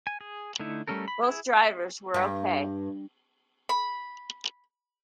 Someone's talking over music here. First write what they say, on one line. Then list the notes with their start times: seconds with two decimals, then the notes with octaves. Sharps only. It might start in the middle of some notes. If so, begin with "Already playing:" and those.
Both drivers were okay.
0.07 G#5
0.21 G#4
0.60 D3 A3 D#4 E4
0.88 G3 A3 C#4 A4 A#4
1.08 B5
1.23 E4 G#4 E5
2.14 G2
3.69 B5